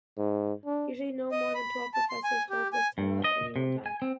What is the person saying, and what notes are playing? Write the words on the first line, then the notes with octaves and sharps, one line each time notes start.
Usually no more than twelve professors hold this title at any one time.
G#2
D4
D#5
B5
A5
C6
G#5
G4
G#5
G2
D#5
C3
G#5
C4